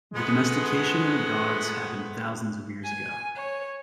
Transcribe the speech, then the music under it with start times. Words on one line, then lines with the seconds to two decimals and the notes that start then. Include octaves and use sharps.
The domestication of dogs happened thousands of years ago.
0.14 F3 G#3 A3 B3
2.84 G#5
3.36 C#5